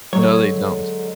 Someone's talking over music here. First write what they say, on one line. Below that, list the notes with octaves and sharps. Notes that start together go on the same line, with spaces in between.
No, they don't.
D3 F#3 G#3 C#5